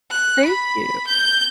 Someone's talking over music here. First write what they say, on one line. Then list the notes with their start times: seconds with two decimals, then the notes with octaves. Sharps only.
Thank you.
0.10 F#6
0.45 B5
1.07 G6